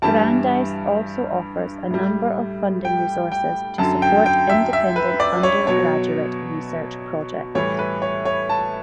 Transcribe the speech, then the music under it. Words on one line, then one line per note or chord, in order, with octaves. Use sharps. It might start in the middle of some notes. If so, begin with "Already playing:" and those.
Brandeis also offers a number of funding resources to support independent undergraduate research projects.
G2 E3 G3 A5
A2 G3
G5
G5
F#2 D3 F#3 A5
G5
G5
E5
E5
B4
D5
C#5
B2 F#3 C#5
A2 E3 G3 C#5
B4
C#5
C#5
A5